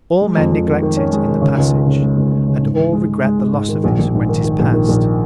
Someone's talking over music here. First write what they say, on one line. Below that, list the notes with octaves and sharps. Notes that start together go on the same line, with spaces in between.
All Men neglect it in the Passage; and all regret the Loss of it when 'tis past.
G#3
F2
F2
D#3
D#3
C#4
G#3
D#3
C#3
C#2
G#3
C#3
G#3
C#2
C#2
C#3
G#2
G#3
G#3
G#3
G#3
G#3
G#2
D#3
A#1
A#1
G#2
D#3
D#3
A#1
D#3
A#1